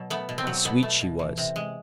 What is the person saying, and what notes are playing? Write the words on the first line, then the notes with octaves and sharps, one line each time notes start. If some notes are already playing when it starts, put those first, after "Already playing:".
How sweet she was!
Already playing: B2 F#3
A3 B3
B2
C4
F#3
B2 B3
A3
B2
E3
C3
G#3